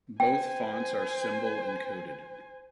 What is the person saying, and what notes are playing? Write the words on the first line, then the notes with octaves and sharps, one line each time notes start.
Both fonts are Symbol-encoded.
C5 G5 G#5